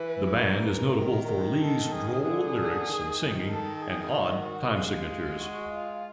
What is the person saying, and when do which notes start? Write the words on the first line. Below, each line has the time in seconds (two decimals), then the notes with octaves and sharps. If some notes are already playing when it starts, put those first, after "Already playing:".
The band is notable for Lee's droll lyrics and singing and odd time signatures.
Already playing: E3 B4
0.36 A#4
0.99 D#3
1.61 A4
1.92 G#4
2.24 D3 G#4
2.87 D#3
3.49 A4
3.81 G#4
4.13 F#4
4.75 G#3 F4
5.39 F#4
5.71 F4